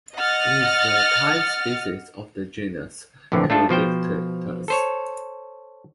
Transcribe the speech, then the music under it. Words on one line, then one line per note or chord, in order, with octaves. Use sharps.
It is the type species of the genus "Perodictitus".
D#5 F#5 F6 A6
A#1 F2 A2 D3 E3
A3 D4 F4 A4
B2 F3 C5 G5
A4 C5 C#5